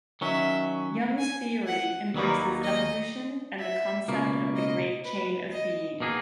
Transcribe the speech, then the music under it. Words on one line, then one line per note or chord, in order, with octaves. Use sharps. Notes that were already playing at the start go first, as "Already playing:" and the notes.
Young's theory embraces evolution and the concept of the great chain of being.
D#3 F#3 C#4 E5
G#5
F#5
D#2 D#3 F#3 A#3 D#4 B4
D#5
E5
C#2 B2 A#3
D#5
B4
D#5
B2 A#3 D#4 G#4